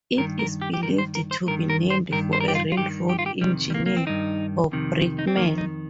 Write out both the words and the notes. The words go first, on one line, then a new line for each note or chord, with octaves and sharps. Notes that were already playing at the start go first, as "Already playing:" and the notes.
It is believed to be named for a railroad engineer or brakeman.
G2 D#3 A#4
A#4
G4
G4
G2 D#3 A#4
C5
A#4
C5
G2 D#3 A#4
A#4
C5
G2 D#3 A#4
C5
A#4
G4
F4
F4
G2 D#3 G4
G4
F4
G4
F2 C3 D#3 G3
G3
A#3
A#3
C4
G2 D#3 D#4
F2 C3 D#3
D#4
C4
F2 D#3 A#3
D#4